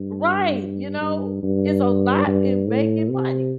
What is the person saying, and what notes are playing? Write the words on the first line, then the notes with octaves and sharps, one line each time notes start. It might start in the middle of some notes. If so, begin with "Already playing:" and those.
Right, you know? It's a lot in making money.
Already playing: G2
G2
G2
G2
A2
C3